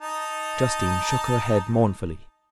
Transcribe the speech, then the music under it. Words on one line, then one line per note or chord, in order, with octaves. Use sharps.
Justine shook her head mournfully.
D#4 D#5 A5